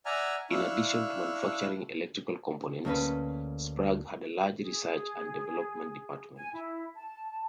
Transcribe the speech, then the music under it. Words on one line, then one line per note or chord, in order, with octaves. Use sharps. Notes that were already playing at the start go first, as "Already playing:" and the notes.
In addition to manufacturing electrical components, Sprague had a large research and development department.
D5 E5 F#5 G#5 A#5 F6
D4 E4 F5 C#6 E6 F#6
D2 A#3 C#4 B4
G#4
G#5
E4
A5